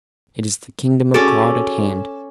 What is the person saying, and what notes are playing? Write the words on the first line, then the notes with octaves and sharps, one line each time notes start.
It is the Kingdom of God at hand.
C#4 F#4 G#4 A4 D5